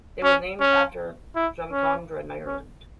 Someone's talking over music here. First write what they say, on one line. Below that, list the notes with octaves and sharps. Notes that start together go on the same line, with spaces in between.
It was named after Drumcondra in Ireland.
C#4
C#4
E4
C#4
C#4